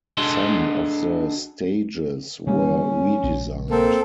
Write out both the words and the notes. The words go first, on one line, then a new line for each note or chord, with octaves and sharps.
Some of the stages were redesigned.
D4 F#4 G#4 A4 D#5 C6
D3 G3 A#3 C#4
A#1
A#3 C4 A4